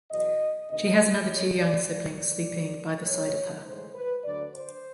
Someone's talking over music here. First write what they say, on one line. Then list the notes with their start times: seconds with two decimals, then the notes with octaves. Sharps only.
She has another two young siblings sleeping by the side of her.
0.10 E2 B2 F#3 D#5
0.70 D2 C3 D#3 D#5
1.28 F#2 D#3 G3 C#5
1.58 D5
1.87 A2 E3 G3 D5
2.17 D5
2.46 D#2 C#3 F#3
3.06 E2 B2 G#3 C#5
3.65 A2 E3 G#3 C5
3.94 B4
4.24 D2 D3 F#3 D5
4.53 C5